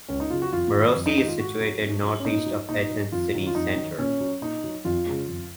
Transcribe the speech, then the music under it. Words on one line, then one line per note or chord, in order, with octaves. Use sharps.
Marousi is situated northeast of Athens city centre.
C#2 C#4
D#4
C#3 F#3 F4
F#4
F2 F4
D#3 G#3
F2
D#4
D#3 G#3 D#4
F4
G#2 F#4
F#3
G#2
F#3
C#4
A#2 D#4
F#3
A#2 D#4
F#3
F2 F4
D#3 F#3
F4
F2 D#4
D#3 F#3
A#2 C#4
F#3
A#2 D#4
F#3
F2 F4
C#3 G#3
F2